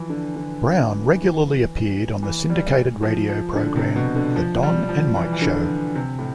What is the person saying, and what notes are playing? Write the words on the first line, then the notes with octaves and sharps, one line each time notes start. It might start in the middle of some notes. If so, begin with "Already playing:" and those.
Brown regularly appeared on the syndicated radio program, "The Don and Mike Show".
Already playing: E3 F3
D3
D3
E3
E3
G3
F3
F3
D3
C3
B2
D3
F3
G3
F3
E3
E3
D3
C3
A2